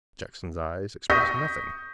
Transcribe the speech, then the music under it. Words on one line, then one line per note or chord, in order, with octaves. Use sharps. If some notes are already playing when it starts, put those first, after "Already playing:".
Jackson's eyes expressed nothing.
C#6 D#6 G6 A#6 B6